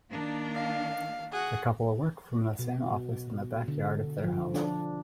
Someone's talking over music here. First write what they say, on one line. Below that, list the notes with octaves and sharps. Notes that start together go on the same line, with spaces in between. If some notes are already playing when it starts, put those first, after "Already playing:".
The couple work from the same office in the backyard of their home.
D#3 A#3 D4
F5
F#4 G#4 F#5
B2
D3
F3
D4